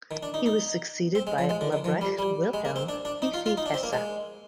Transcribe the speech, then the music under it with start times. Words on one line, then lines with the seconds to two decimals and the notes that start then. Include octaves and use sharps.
He was succeeded by Lebrecht Wilhem Fifi Hesse.
0.11 D#3
0.23 D4
0.34 D#4
0.46 D#4
1.15 C4
1.27 G#3
1.38 F3
1.49 G#3
1.61 D3
1.72 D#3
1.84 F3
2.01 G3
2.19 G3
2.54 G#3
2.65 A#3
2.76 C4
2.89 D4
3.05 D4
3.22 D#4
3.34 F4
3.46 F4
3.57 D#4
3.66 D4
3.74 C4
3.83 A#3
3.93 G#3